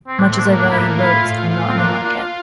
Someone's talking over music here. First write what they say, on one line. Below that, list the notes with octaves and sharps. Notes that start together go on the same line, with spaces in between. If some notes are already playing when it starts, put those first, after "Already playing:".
Much as I value votes I am not in the market.
C4
A2 D4
C4
D4
A#3
D4
A2 E4
D4
E4 F4
A2
F4
C4
A#3 D4
D4 F4